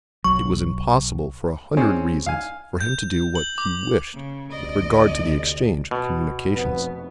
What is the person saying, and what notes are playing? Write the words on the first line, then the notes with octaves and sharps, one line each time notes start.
It was impossible for a hundred reasons for Him to do what He wished with regard to the exchange of communications.
B1 F#3 C#6
C4 C#4 G#4
F5 G#5
G6
F#7
D6
C#3
D2 C3 D5 D#5
B2
F1 B3